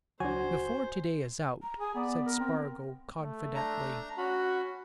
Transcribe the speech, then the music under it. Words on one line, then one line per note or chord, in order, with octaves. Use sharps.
"Before today is out," said Spargo confidently.
C#2 F#3 D4 F#4 C5 G#5
A#5
G#4 G#5
B3 D5
A#4
C4
A3
D4 A#5
C#4 F#4 B5